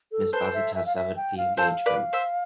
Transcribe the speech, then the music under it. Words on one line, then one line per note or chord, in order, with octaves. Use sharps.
Miss Bassett has severed the engagement.
A4
A4 B4 C5
E5
E5
F5
E5
G5
F5
A4 C5 F5
B4 D5
C5 E5